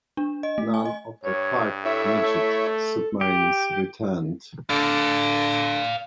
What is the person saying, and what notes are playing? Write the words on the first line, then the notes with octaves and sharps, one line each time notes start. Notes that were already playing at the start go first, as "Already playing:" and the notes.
None of the five midget submarines returned.
D4
D#5
A3
G#5
D#5
G2 C#5
E4 A4 C#5 E5
A3
G4
D3 D5 F5